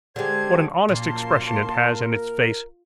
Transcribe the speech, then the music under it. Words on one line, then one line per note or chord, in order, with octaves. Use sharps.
What an honest expression it has in its face!
D3 G#3 G4 C5 G#6
F#2 A#2 F3 A#3 A5 C6
A#4